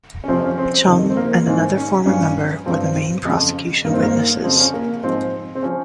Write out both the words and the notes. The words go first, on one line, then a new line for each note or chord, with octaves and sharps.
Chung and another former member were the main prosecution witnesses.
C#4
F2 C3 F3 C4
C#4
C4
F2 C3 D#3
C4
A#3
A#3
G#2 D#3 C4
C#4
G2 F3 C#4
G2 F3 C4
F2 C#3 F3
G2 D#3 A#3
C4
A#3
F2 C#3 F3 C4
C#4
A#3
G#2 F3 C4
C4
F3 C#4